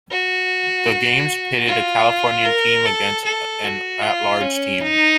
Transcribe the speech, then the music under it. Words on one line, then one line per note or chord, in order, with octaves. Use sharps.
The games pitted a California team against an at-large team.
F#4
F4
A#4
A4
A4
F#4
F4
C#4
D#4